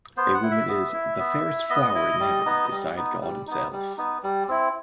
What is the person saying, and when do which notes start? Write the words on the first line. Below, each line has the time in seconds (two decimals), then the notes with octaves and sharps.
A woman is "the fairest flower in Heaven beside God Himself".
0.17 B3 C5
0.34 F#5
0.43 E4
0.51 E5
0.68 B3
0.93 E4
1.19 B3
1.44 E4
1.69 B3 D#5
1.95 E4
2.20 G3
2.46 B3 D#4
2.71 G3
2.96 B3 D#4
3.22 G3
3.47 B3 D#4
3.73 G3
3.97 B3 D#4
4.23 G3
4.48 C4 E4